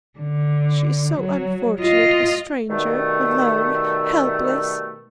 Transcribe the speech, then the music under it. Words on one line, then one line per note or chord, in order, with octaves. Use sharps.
She is so unfortunate, a stranger, alone, helpless!
D3
F#3
F4 D#5
B2 D#3 G3 A3